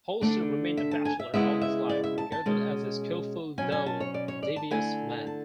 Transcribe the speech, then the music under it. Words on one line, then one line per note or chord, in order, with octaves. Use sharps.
Holstein remained a bachelor all his life, regarded as a skillful though devious man.
D3 A3 D4
E5
A5
G#5
E5
C#3 G#3 B3 E4 E5
E5
D5
E5
A5
A5
B2 G#3 C#4
B2 F#3 C#4 G#5
G#5
A5
C#5
D5
C#5
D5
A5
D3 A3 E4 G#5
A5